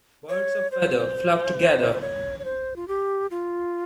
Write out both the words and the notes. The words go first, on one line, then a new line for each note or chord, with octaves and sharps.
Birds of a feather flock – together.
C#5
C5
C5
C#5
C#5
C5
F4
G4
F4